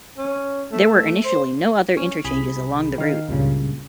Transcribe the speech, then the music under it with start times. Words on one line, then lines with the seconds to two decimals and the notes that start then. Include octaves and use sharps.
There were initially no other interchanges along the route.
0.18 C#4
0.72 A3
1.25 C5
1.97 C#4
2.24 C2 G#4 B5
2.98 D#3 F5
3.29 C#2 G2 A#2 C#3